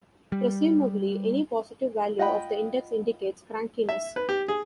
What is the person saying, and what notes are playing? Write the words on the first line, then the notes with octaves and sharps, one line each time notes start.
Presumably any positive value of the index indicates crankiness.
G3
F4 D#5 F#5 G5 B5
E5
B4
G4
G#4